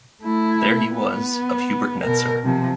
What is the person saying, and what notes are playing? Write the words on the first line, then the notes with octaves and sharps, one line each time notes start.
There he was of Hubert Netzer.
A3 E4
B3
B2 A#4
C3 F3